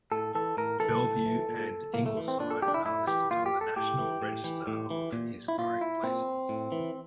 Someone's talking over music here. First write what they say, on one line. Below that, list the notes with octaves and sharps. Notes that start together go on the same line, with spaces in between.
Belleview and Ingleside are listed on the National Register of Historic Places.
A2 A4
E3 A4
A2 A#4
E3 A4
A2
E3
A#2
A2 A#3
A3
E3
C4
A#2 D4
A4
G4
D4
E4
A2 E4
E3 G4
A#2 F4
G4
A4
A2 G4
E3
A2
E3
A2
E3
A#2
E4
A#2 F4
E4
A#2 C4
A2
E3